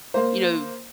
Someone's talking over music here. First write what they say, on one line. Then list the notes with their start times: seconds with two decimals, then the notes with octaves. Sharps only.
you know,
0.14 A#3 C5